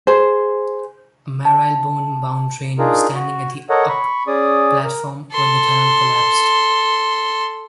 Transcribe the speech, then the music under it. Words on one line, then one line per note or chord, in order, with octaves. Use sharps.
A Marylebone-bound train was standing at the "up" platform when the tunnel collapsed.
G#4 C5
A5
D4 D#4 F4 G#4 A#4
F#4
A4 A#4 C#5 D#5 F#5
B5 C#6
C#4 G#4 D5 D#6
A#4
A4 C6